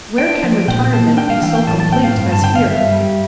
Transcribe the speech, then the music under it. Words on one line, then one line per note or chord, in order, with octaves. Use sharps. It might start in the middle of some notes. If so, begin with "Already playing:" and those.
Where can retirement be so complete as here?
D4 G5
F3
A#2 G5
A#3 A5
D4 G5
F5
E3 G5
G5
A2 A5
A5
A#3 G5
F5
G2
A5
D3 G5
F5
G2 E5
G3